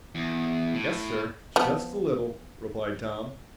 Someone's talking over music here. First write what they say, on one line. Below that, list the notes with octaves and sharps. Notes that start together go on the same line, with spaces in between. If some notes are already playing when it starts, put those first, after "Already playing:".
"Yes, sir--just a little," replied Tom.
E2
A2
F3 B3